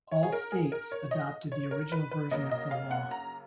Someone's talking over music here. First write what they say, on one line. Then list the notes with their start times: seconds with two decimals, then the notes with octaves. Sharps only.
All states adopted the original version of the law.
0.11 C#5
0.23 G#4
0.32 A#4
0.52 G#4
0.72 A#4
0.92 C#5
1.11 D#5
1.52 C#5
1.71 A#4
1.92 B4
2.11 B4
2.31 F#2 C#3 F#3 A#3 D#5
2.51 D#5
2.71 F5
2.91 F#5
3.11 A#5